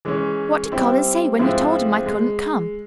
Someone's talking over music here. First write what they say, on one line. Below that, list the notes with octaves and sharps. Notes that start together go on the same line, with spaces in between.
"What did Colin say when you told him I couldn't come?"
E3 G#3 C#4
G3 C4 E4
G#2 F3 G#3 C4 E4
G#3